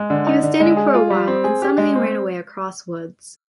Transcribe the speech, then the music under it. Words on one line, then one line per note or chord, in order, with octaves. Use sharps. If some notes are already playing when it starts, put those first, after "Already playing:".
He was standing for a while and suddenly ran away across woods.
Already playing: G#3
D3
D#4
D3
G#3
G#4
F4
G3
C4
G#4
G4
G#3
C4